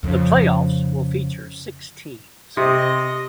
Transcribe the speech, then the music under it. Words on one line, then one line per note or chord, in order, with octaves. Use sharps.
The playoffs will feature six teams.
F2 C#3
C3 D#5